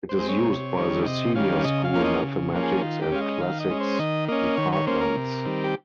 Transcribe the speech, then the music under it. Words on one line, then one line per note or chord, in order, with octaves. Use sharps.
It is used by the Senior School Mathematics and Classics Departments.
C5
G#3 C4
C#5
C3
D#3 G3 C#4
C3 D#5
D#3 G3 C#4 F5
C#3 D#5
F5
F3 A#3 C#4
D#5
C#3
F3 A#3 C#4
G#4
D#3 F4
G4
G#3 C#4 F5
D#5
D#3 F5
D#5
G#3 C#4
C5
D#3 D#5
A#3 C#4 D#5
D#3 C#5
C#5
A#3 C#4 C5
A#4
C3
D#3 G3 C4
G4